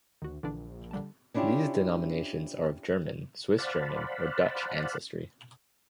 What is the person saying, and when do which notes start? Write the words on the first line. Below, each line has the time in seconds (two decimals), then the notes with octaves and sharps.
These denominations are of German, Swiss German or Dutch ancestry.
0.22 D2 D#3 F#4
0.43 A#1 D3 E3 D4
0.91 D3 G3 A5
1.34 C#4 D4 E4 F4 G4
3.58 C5 D5 F5 F#5 A5 B5